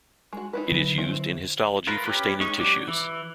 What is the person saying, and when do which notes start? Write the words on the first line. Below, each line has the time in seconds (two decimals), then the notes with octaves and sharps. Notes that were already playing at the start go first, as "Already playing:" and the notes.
It is used in histology for staining tissues.
0.33 G#3 F#4
0.53 D#4 E4 B4
0.72 D3 F#3
0.98 C4 E4
1.87 F4 A#4 B4
2.06 C#4 G4 B4
2.40 G#3 C#4 D#4 C#6
2.58 F#3 G4 D5 D6
2.88 E3